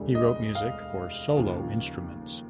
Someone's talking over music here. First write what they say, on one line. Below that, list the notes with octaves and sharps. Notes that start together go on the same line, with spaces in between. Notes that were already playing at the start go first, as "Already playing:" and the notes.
He wrote music for solo instruments.
Already playing: E1 D2 D3 G3
D#5
F5
D#2 C#3 F3